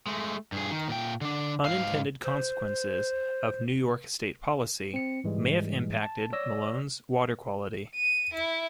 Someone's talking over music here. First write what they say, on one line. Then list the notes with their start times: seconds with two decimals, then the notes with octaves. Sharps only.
Unintended consequences of New York State policy may have impacted Malone's water quality.
0.06 G#3 A3
0.52 G2 G#4
0.71 D#3
0.88 A#2 G5
1.21 D3 D4
1.65 G#2 F5
2.23 C5
4.94 C4 C#7
5.24 G#2 E3 G3 G#3
6.02 A5
6.33 C#5 D5 E6 A#6
7.94 D#7
8.33 E4